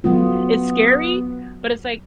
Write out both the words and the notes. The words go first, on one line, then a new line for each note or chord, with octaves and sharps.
it's scary, but it's, like,
F#3 A3 B3 F4